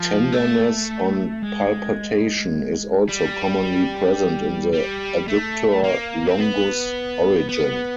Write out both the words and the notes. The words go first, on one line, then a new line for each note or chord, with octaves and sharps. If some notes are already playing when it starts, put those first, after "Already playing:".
Tenderness on palpation is also commonly present in the adductor longus origin.
Already playing: F3
A3
G#3
G3
G3
A3
A#3
C4
B3
B3